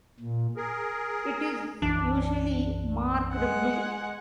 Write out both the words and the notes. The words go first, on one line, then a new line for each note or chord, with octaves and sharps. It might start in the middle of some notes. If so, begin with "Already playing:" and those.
It is usually marked blue.
A#2
G#4 A#4
B1 F#2 E3 D4
G#3 F#5